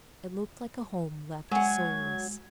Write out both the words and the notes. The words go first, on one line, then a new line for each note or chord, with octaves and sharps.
It looked like a home left soulless.
F#3 G#3 F#5 G#5 G#6